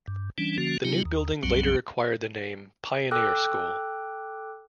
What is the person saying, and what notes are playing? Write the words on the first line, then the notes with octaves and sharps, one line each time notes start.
The new building later acquired the name "Pioneer" School.
G2
E3 G3 C#4 D4
D3 F3 A#3 C#4 F#4
C3 F#3 B3 D#4 F4 G4
D#2
B1 F#2 F#3 G3 C4
A4 G5 D6 F#6